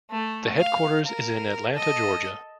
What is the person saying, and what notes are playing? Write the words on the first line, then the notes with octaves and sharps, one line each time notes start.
The headquarters is in Atlanta, Georgia.
A3
F5
A#4
A4 D#5